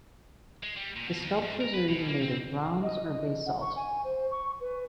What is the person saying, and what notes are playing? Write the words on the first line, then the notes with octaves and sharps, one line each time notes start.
The sculptures are either made of bronze or basalt.
G#3
G3
A#2
B2
D#2
G#2
A#4
B4
B2
A#3
C4
D#5
F#5
C#6
G#5
C5
C#6
B4